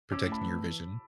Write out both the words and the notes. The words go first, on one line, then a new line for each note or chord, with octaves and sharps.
protecting your vision.
C#4 D6 E6
A2
A5 B5
E3